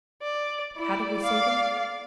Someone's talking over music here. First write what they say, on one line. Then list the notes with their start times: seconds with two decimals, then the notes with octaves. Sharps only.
How did we see them?
0.22 D5
0.77 E4 D5
1.23 F5